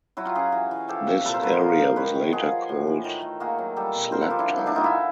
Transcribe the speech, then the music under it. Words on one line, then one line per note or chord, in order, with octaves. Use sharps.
This area was later called Slabtown.
F#3 E4 F#4
F4 G4
C#4 F#4 G#4
E3
E3
F3 G4 A4
C3
A#2 A4 B4
A#4 C5
F#3 B4 C#5
A#4 C5
F3
F3
D#3 B4 C#5
D#3
F3 F#4 G#4
F3
A2
E3
D#3
A3
A#3 F#4 G#4
F#3
G3 G4 A4
B2
F3 A#4 C5
A4 B4
F3 F4 G4
D4 E4
D3
D#4
D3 D4 E4
D#4 F4
E3 E4 F#4